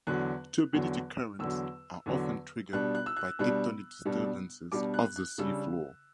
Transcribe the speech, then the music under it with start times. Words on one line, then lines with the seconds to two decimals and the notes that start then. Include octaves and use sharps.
Turbidity currents are often triggered by tectonic disturbances of the sea floor.
0.07 E2 D3 F#3 F#6
0.73 E2 D3 F#3
1.39 E2 D3 F#3 E6
2.06 E2 D3 F#3
2.73 B2 G3 D4 F#6
2.95 F#6
3.06 E6
3.17 F#6
3.39 B2 G3 D4 F#6
4.05 B2 G3 D4
4.72 B2 G3 D4 D6
4.94 F#6
5.16 F#6
5.38 C#3 G3 D4 E6